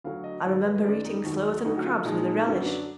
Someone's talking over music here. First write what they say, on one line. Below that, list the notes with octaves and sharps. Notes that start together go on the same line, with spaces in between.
I remember eating sloes and crabs with a relish.
D2 D3 F#3 F5
D#5
G#2 D#3 F#3 D5
B4
D#5
F#2 D#3 G#3 D5
D#4
D#2 D#3 F#3
D2 D3 F#3 D#4
F#4
F4
A#2 F3 G#3 D#4
D#4
F#2 D3 F#3 B3
D4